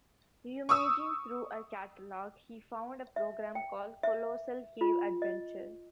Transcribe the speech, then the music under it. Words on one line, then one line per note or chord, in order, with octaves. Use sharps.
Rummaging through a catalog, he found a program called "Colossal Cave Adventure".
C#6 D#6 E6
E5
G5
E5
F4
D#5